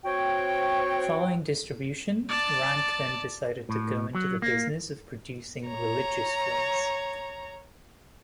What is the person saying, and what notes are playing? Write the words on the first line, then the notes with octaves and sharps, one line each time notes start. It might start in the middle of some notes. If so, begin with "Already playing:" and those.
Following distribution, Rank then decided to go into the business of producing religious films.
C4 F#4 C#5 G5
D5 A5
A2
F#3
A#3
C#5 A#5